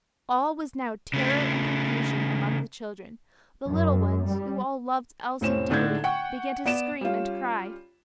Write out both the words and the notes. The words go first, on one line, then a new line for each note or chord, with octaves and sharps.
All was now terror and confusion among the children; the little ones, who all loved Elsie dearly, began to scream and cry.
C#3 A3
F#2
G3
F1 A2 C4 C#4 E7
A2 D3 D4 D#4 G6 G#6
F#5 G5 C#6
B3 D5 D7 E7
G3 C#4 F4